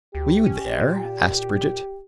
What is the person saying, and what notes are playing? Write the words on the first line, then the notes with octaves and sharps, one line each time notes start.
"Were you there?" asked Brigitte.
D2 G4
C#4
A#2